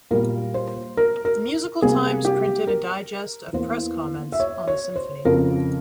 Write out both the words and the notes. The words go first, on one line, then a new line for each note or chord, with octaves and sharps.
"The Musical Times" printed a digest of press comments on the symphony.
A#2 G3 A#3 A#4
C5
A#4
A#4
C3 G3 A#3 G#4
G4
A#4
E2 E3 A#3 C5
E5
C#5
C#5
C5
F2 C#3 F3 A#4